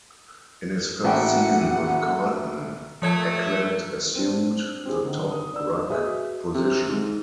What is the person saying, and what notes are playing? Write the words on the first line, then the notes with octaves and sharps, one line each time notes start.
In his first season with Carlton, Ackland assumed the top ruck position.
A1 A#3 C#4 F#4 E5 F#5 G5
A#2 F3 A3 C#5 G#6
C4 D4
C4 E4 G#4
D3 D#3 C4
D#6
D5 E6
F#4 G#4 B4 D#5 E5 D#6
C3
G#2